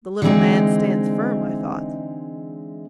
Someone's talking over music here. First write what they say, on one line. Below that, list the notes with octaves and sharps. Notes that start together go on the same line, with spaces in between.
The little man stands firm, I thought.
D3 E3 G3 G#3 C4 D#4